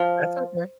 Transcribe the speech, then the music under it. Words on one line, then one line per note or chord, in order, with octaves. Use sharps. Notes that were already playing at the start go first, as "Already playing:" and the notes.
That's okay.
Already playing: F3